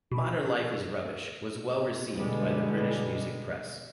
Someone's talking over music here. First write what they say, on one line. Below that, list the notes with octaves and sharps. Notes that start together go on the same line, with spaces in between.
"Modern Life Is Rubbish" was well received by the British music press.
B2
B2 D3 G3 G#3 B3